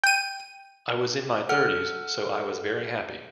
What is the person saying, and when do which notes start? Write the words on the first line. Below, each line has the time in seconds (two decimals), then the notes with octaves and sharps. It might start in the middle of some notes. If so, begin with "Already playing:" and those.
I was in my thirties, so I was very happy.
0.04 G5 D#7
1.49 A4 F#5 F6